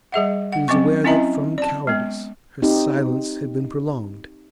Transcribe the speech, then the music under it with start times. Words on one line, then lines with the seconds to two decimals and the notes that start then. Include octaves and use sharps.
She was aware that from cowardice her silence had been prolonged.
0.12 G3 G#4 E5 F#5
0.53 F#5
0.68 F#3 C4 C#4 C#6
1.04 C4 C#4 E4 D#5 E5 A#5
1.58 D5 A5
1.87 G#3 B3
2.62 C4 D#4 G4